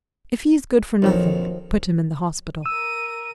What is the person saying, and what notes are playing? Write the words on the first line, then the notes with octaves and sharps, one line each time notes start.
If he is good for nothing, put him in the hospital.
A#1 F2 D#3 F3 F#3 A4
A#4 E6 D#7